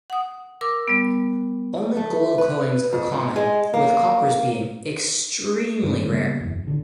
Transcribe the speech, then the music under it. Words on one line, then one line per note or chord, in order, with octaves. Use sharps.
Only gold coins are common, with coppers being extremely rare.
F#5 D#6
A#4 D6 E6
G3 B3
A3
B4
F2
G#2
G#3
A#3
G2 D#3
C#3 G3 A#3 B3
F#1 E2
A1 D3